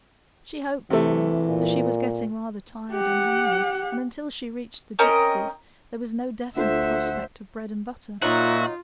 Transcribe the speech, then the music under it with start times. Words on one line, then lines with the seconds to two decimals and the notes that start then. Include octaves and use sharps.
She hoped so, for she was getting rather tired and hungry, and until she reached the gypsies there was no definite prospect of bread and butter.
0.90 C3 E3 A3
1.48 A#2
2.92 G4 F#5
4.99 C4 C#4 A#4 D#5
6.57 D2 D4 F4 A4 C5 E5 F#5
8.22 A#2 F#3 D#4 F4 F#4 E5